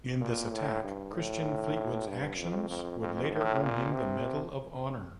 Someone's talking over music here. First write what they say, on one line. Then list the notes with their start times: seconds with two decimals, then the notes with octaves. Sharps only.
In this attack, Christian Fleetwood's actions would later earn him the Medal of Honor.
0.20 A#2
0.52 A2
0.84 G2
1.13 A2
2.08 G2
2.37 F2
2.70 F2
3.00 F2
3.31 A2
3.62 A#2
3.92 C3